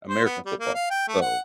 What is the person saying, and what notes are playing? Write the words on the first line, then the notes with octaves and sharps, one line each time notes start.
American football, so
C5
B3
G3
A#3
F5
G5
A3
F#5